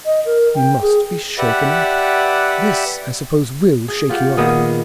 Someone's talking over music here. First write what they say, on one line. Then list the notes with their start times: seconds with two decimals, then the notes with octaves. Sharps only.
You must be shaken up. This I suppose will shake you up.
0.06 D#5
0.26 A#4
0.55 G5
0.81 G#4
1.38 G4 B4 D5 E5 F#5
3.88 G#4
4.09 F4 G4 F#5
4.37 A#2 D#3 B3 G#4